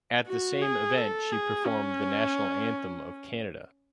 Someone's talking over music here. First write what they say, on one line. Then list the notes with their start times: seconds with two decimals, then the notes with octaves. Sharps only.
At the same event she performed the national anthem of Canada.
0.27 F#4
0.62 G#4
0.97 A4
1.32 G#4
1.67 C#4